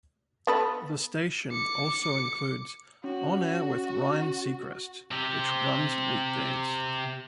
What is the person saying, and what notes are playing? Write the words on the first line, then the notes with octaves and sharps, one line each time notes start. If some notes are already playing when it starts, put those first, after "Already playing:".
The station also includes "On air with Ryan Seacreast" which runs weekdays.
B3 A4 B4
D6 C#7
C#4 F#4
C3 G4